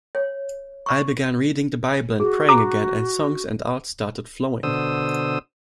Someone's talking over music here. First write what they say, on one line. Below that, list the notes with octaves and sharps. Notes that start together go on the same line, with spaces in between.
I began reading the Bible and praying again and songs and art started flowing.
C#5
C#6
F#4 G#4
A#5 D6
B2 D3 C5 D#6 E6